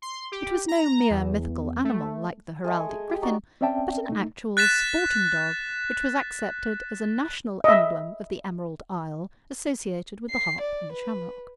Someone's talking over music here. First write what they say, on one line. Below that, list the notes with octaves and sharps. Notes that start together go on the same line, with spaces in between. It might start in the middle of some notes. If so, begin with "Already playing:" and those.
It was no mere mythical animal like the heraldic griffin, but an actual sporting dog which was accepted as a national emblem of the Emerald Isle, associated with the harp and the shamrock.
C6
G4
A#5
E2
A3
G#3 A3 G#4
G#4
G4
D#4 F#4 D5
C4 C#4 D5 E5 G5 A5
A3 D#4
F#6 A6 B6 E7
D#5 E5
C7
D5
B4